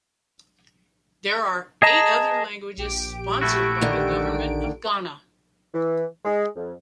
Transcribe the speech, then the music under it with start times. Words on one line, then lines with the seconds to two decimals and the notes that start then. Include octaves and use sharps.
There are eight other languages sponsored by the Government of Ghana.
1.82 G#4 D#5 A5 A#5
2.77 A#1 G4 D7
3.41 A3 E4 F#4
3.81 D3 D#3
5.74 E3
6.25 G#3
6.56 F2